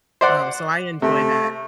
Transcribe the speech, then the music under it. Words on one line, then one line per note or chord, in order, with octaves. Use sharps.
um, so I enjoy that.
C5 D5 F#5
C3 A3